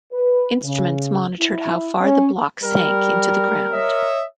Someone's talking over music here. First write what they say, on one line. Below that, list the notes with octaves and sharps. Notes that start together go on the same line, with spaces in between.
Instruments monitored how far the block sank into the ground.
B4
C#3
E4
C#4
G3 A#4
C#5 D#5 E5